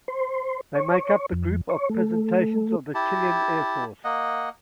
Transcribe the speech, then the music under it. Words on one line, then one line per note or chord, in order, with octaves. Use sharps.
They make up the Group of Presentations of the Chilean Air Force.
C5
C#5
F2
C#5
A3
E4 G4 A5
A#3 D#5 F#5